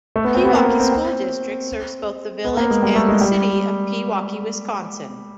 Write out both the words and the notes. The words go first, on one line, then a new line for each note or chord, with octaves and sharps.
Pewaukee School District serves both the village and the city of Pewaukee, Wisconsin.
A3
B3
C4
B3
A#3
B3
C4
C4
B3
A#3
G#3
G3
A3
G#3
G3